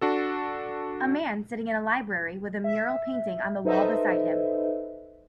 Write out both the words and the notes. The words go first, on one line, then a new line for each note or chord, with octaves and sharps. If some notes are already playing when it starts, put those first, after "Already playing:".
A man sitting in a library with a mural painting on the wall beside him.
D4 F#4 A4
E5
D#4 A4 B4 C5 D#5 E5